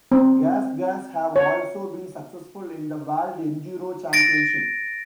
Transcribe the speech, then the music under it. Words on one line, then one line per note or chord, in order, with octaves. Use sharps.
Gas Gas have also been successful in the World Enduro Championship.
C4
C#5
A6 A#6 D7